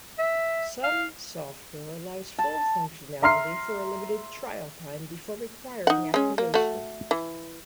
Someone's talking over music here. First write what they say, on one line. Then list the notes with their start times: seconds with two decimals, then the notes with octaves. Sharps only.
Some software allows full functionality for a limited "trial" time before requiring activation.
0.19 E5
0.83 F5
2.39 A5
3.22 E5 A#5 C6 F6 C7
5.87 D#4 F#5
6.14 G#3 C#4
6.38 A#3
6.54 A3 F#4
7.11 E3